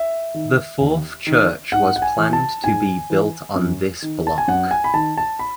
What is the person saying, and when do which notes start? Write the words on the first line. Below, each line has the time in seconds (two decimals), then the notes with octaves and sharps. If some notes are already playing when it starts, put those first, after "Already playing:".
The fourth church was planned to be built on this block.
Already playing: E5
0.34 D#3
0.80 D#2
1.27 D#3
1.72 G#2 F#5
1.96 F#5
2.02 G#5
2.17 E3
2.33 A5
2.64 G#2 G#5
3.10 E3
3.56 F#2
4.02 D#3
4.27 A5
4.38 G#5
4.48 F#2 F#5
4.71 G#5
4.84 B5
4.94 D#3 A5
5.18 A5
5.39 B5